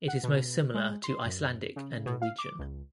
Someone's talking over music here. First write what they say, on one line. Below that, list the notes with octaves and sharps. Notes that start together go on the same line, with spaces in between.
It is most similar to Icelandic and Norwegian.
F#5
B2
G#3
C6
F#2
C#3
B2
F5
D6
C#2